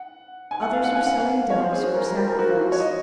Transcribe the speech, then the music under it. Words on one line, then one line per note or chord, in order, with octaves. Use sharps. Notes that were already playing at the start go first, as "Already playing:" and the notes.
Others were selling doves for sacrifice.
Already playing: F#5
G#5
F#5
F5
F#5
G#5
F#5
F5
C#5
C5
G#4
F#4
A#4
A#4
C5
A#4
F#4
F4
F#4
C#5
D#5